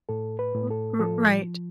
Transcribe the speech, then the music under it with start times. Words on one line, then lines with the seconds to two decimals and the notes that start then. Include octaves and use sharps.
R r right.
0.09 A2 A4
0.39 B4
0.55 A2
0.70 A4
1.00 F3 A4